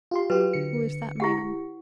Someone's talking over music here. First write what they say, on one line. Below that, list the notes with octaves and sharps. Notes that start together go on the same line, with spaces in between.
Who is that man?
F4 G4 C6
F#3 F4 G4 B4
D3 C#7
E4 G4 F#5